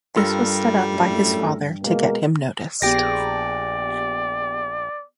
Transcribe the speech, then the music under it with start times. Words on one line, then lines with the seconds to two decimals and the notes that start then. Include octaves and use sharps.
This was set up by his father to get him noticed.
0.16 G2 G3 F4 A4 A#4
0.91 F#2 A2 A3
1.84 B2 G#3 A#3
2.82 A#1 B3 G4 G#4 D5 G5 A#6